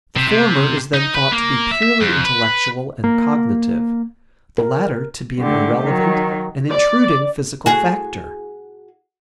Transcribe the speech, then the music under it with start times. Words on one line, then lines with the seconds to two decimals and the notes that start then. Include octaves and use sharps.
The former is then thought to be purely intellectual and cognitive; the latter to be an irrelevant and intruding physical factor.
0.16 C3
0.28 C3
0.94 D#4
1.14 B4
1.32 A#3
1.71 E5
1.83 E5
2.01 F2
2.24 B4
3.04 A#3
4.58 A#4
5.39 D3 A3 G4
5.83 D#3 F#3
6.68 D5
7.66 F#4 G#4